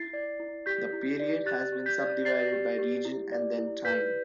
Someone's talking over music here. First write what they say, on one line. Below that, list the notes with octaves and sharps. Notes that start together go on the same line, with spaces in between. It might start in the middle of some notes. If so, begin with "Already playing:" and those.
The period has been subdivided by region and then time.
Already playing: E4 A6 C7
D5
E4
G4 G6 B6
E4
D5
G4 F#6 A6
G4
G6 B6
D5
D5 A6 C7
G4
G4
E4
D5
E4
B4 G6 B6